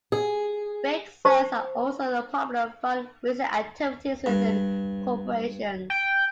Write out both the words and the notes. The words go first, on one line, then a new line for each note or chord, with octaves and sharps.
Bake sales are also a popular fund raising activities within corporations.
G#4
C5 A5 C#6
G2
G5